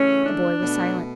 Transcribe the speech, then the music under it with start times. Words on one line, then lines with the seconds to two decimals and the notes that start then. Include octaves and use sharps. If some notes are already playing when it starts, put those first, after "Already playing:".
The boy was silent.
Already playing: C#3 E3 A3 C#4
0.26 D4
0.61 B2 A3